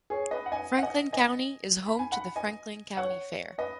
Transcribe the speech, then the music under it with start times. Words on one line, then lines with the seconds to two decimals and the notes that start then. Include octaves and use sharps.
Franklin County is home to the Franklin County Fair.
0.10 G#4 C#5
0.31 B4 D#5
0.46 F#5
0.52 D#5 G#5
0.78 F#5
0.82 D#5 G#5
1.12 D#5 G#5
1.86 B5
1.99 G#5
2.12 F#5 B5
2.36 D#5 G#5
2.97 C#5 F#5
3.58 B4 D#5